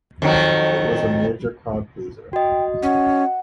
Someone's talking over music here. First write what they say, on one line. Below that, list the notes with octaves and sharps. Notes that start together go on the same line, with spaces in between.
It was a major crowd pleaser.
F2 D#3 F#3
F#4 D#5 G5
C#4 F#5